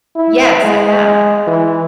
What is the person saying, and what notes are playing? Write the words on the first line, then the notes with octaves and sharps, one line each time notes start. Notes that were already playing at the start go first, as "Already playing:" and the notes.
Yes, I have.
E4
G#3
E3